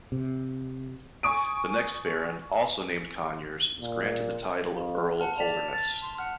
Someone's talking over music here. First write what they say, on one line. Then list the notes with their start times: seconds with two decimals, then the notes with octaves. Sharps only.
The next baron, also named Conyers, was granted the title of Earl of Holderness.
0.12 C3
1.23 G#5 C#6 D#6 D7
3.81 A#2
4.72 F2
5.20 F#5 A5 F6
5.38 D5 B6 E7 F7
5.72 A6
6.02 C6
6.18 F#5 F6